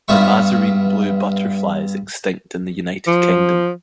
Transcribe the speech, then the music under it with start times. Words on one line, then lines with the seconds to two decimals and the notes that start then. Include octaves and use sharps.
The Mazarine Blue butterfly is extinct in the United Kingdom.
0.08 G2 B3 F4 E5 C#6
3.07 F3